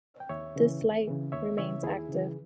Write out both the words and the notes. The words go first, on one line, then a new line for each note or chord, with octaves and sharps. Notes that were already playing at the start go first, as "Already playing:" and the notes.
This light remains active.
G5
D#2 C#5 E5
C#3 E3
D#2
C#3 E3
D#2 C#5 E5
C#3 E3 C#5 E5
D#2 E4 G#4
C#3 E3